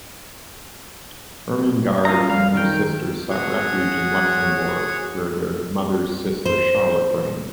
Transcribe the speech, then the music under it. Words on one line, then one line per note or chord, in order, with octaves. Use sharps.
Irmingard and her sisters sought refuge in Luxembourg, where their mother's sister Charlotte reigned.
C#4 F4 A#5
G3 F5
D#3 G5
F#4 G#4 C#5
C5